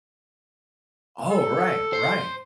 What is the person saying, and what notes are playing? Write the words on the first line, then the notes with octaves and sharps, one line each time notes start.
Oh, right, right.
A4
C5